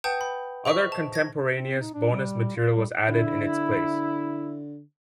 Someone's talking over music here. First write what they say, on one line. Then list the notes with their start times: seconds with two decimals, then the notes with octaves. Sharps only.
Other contemporaneous bonus material was added in its place.
0.04 B4 F#5 G5 A5 D#6 G6
0.21 B5
0.65 G#4 C5 D#5 E5 C#6
0.92 A5
1.14 G#6 A#6
1.55 C4
1.80 D#4
1.94 D4
2.12 G3
2.56 F4
2.76 G3
3.09 D3 E4